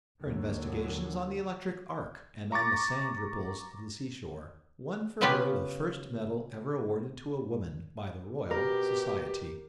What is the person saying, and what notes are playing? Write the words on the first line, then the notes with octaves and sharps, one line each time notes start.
Her investigations on the electric arc and on the sand ripples of the seashore won for her the first medal ever awarded to a woman by the Royal Society.
D#2 D3 F#3
A#5 C#6 D6 A6 A#6
C#3 B3 C#4 F4 G4 B4
B2 G4 A#4